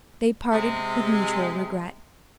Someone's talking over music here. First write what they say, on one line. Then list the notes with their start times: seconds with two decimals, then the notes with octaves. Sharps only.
They parted with mutual regret.
0.52 C3 G#3